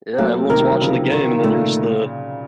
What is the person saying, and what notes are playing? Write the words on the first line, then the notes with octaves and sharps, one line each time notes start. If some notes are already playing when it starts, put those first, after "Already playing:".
Yeah, everyone's watching the game, and then you're just, uh,
F#3 A3 A#3
C3 D#3 A#4
F#3
C#3 F3 D#4
D#3
A#2 C#3 A3